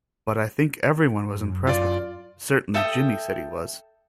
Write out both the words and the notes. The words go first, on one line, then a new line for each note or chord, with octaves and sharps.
But I think everyone was impressed with it; certainly Jimmy said he was.
F#2
F#2 F4 D5
A4 E5 G5 D#6